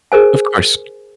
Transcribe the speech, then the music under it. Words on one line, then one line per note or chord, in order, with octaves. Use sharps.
of course.
G#4 A#4 C5 G#5